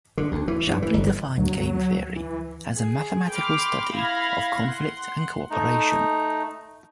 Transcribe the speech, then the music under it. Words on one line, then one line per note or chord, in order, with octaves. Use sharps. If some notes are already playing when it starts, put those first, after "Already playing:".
Shapley defined game theory as a mathematical study of conflict and cooperation.
D3
D2
E3
G2
E3
G1
D2 F#3
E3
G#4
G5 B5 C6 D6 F6
E4 F5 B5 F6 G#6 A#6
F#5 C6
A3 D#4